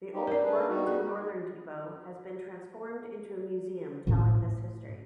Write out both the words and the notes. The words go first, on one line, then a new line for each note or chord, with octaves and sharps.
The old Burlington Northern depot has been transformed into a museum telling this history.
G3 D#4 G4
A#4 D5
D4 G#4 B4
G3 D#4 F#4
G#4
A2 E4